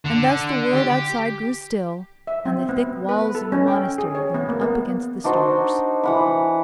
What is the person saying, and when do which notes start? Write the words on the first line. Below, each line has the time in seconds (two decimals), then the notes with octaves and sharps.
And thus the world outside grew still, and the thick walls of the Monastery loomed up against the stars.
0.05 D3
0.73 G4
2.27 E5
2.45 C4
2.69 B3
3.09 B4
3.35 A4
3.52 C#4
3.68 G5
3.98 G#4
4.15 C#5
4.34 B3
4.49 A#3
4.62 B3
5.24 D4 D#4 F#4 C5
6.03 E3 F#5 B5